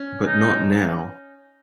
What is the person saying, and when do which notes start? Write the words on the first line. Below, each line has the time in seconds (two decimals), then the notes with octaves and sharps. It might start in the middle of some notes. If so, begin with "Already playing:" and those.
But not now.
Already playing: C#4
0.26 D#4